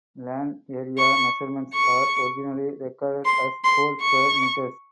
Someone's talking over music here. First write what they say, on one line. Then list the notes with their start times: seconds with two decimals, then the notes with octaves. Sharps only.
Land area measurements are originally recorded as whole square meters.
0.98 C#6
1.74 C#6
3.25 C6
3.64 C6
4.01 C#6